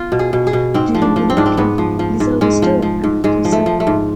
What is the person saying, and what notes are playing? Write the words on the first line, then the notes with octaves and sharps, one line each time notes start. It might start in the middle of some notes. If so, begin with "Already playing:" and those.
During the New Kingdom, Giza was still an active site.
Already playing: B3 F4
B2
G#4
B2
G#4
B2
G#2 C4
F3
D4
F3
C4
G#2 D4
C4
G#2 B3
F3
F3
G#2
G#2 G#3
F3
F3
G#2
G#2 G#3
F3
A3
F3
A3
G#2